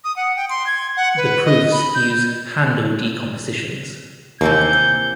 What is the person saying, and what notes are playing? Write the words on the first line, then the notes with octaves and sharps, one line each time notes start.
The proofs use handle decompositions.
D#6
F#5
G5
C6
G#6
F#5
B4
D#5
B5
G6
D#2 C3 E3 A#3 G6